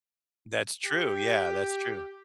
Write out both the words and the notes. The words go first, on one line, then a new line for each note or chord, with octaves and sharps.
That's true, yeah, that's true.
G4